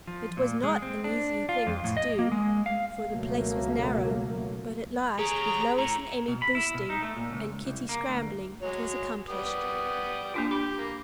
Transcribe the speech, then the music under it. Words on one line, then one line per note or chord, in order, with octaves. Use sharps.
It was not an easy thing to do, for the place was narrow; but at last, with Lois and Emmy "boosting," and Kitty scrambling, it was accomplished.
F3
A#2
G#3
C4
D4
F4
F2
A2
D#5
A#3
G#3
F5
C#2 B2 F#3 A3 A#3
G4 G#4 C#5 A#5
A2 A#5
B2
B5
E4
B2
D#4
A3
A#2
C#2
C2
A#3
D2
F#3 G#3 C#5
G3 B3 D#6
F3 A#3 D4 F4
G4 B5
A#3